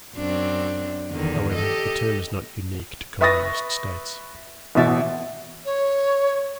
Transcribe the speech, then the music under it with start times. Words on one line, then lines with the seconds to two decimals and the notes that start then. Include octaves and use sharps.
However, the term is not unique to communist states.
0.16 F#2 C4 D4
1.10 E2 D3 D#3
1.53 G4 A4 D#5
3.21 B4 E5 C#6 D#6 A6 A#6
4.75 A1 B2 E5 A6
5.65 C#5